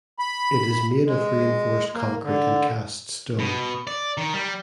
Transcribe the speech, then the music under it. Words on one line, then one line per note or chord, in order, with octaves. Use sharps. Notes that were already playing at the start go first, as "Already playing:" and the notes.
It is made of reinforced concrete and cast stone.
B5
G#3
A#3
D3
B2
D5
D#3
G3